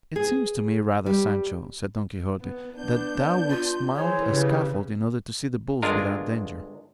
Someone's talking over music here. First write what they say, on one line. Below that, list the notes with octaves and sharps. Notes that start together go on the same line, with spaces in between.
"It seems to me rather, Sancho," said Don Quixote, "that thou wouldst mount a scaffold in order to see the bulls without danger."
G#4
G3
B3
B3 D4 G6
F4
E3 G#4 C5 C#5
C#3 G4 B4
G1 G#3 D4 F4 A#4